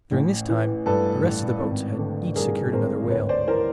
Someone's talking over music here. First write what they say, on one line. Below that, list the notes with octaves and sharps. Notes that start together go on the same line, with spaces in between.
During this time the rest of the boats had each secured another whale.
A1
E3
G2 A4 B4
A1
G#1
D3
G2 G#4 A#4
G#1 A#4 C5
D2 B4 C#5
C5 D5
E3 A#4 C5